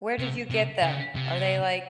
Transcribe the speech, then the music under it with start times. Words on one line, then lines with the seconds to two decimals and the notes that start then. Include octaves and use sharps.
Where did you get them? Are they, like,
0.18 C3
0.51 C3
0.82 C#3
1.15 C3